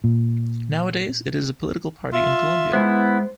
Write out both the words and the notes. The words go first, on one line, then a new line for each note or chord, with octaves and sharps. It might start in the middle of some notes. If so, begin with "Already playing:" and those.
Nowadays it is a political party in Colombia.
A#2
F4 E5
G#3 B3 E4 C5